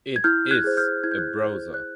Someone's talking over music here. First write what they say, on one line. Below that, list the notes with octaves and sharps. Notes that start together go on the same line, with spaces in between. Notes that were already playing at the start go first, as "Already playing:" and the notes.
It "is" a browser.
G#6
E4 F6 G6
F#6 G#6
G#4 C5
F6 G6
E4 G#6
G6
F#6 G#6
G#4 C5
F#6